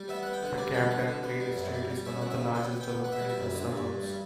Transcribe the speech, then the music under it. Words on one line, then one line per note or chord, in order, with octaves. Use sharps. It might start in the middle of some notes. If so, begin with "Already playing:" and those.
The Camden Green Estate is one of the largest developments in the suburb.
Already playing: G3
B3 E5
B3 F#5
G5
D3 F#5
G3 D5
B3 G5
D3 F#5
D3
B3
G3
F#2
G3
G3
C#3 E5
C#3 F#5
E5
C#3
B3 G5
B3
G5
B3
B3 F#5
E5
G3 F#5
E5
F#2
D3
G2
G2
G3